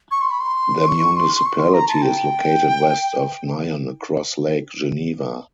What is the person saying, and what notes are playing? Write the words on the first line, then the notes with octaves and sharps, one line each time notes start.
The municipality is located west of Nyon across Lake Geneva.
C#6
C6
B5
C6
C#6
C6
C#6
C6
A#5
A5
G5